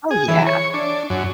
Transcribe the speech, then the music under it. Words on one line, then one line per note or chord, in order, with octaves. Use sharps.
Oh, yeah.
G#4
E3
C#5
D4
F#2